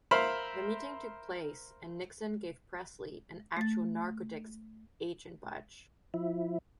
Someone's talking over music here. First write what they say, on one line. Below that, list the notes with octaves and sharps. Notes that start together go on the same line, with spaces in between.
The meeting took place and Nixon gave Presley an actual narcotics agent badge.
A#4 C5 E5 F5 B5
A3 A6
F3 E4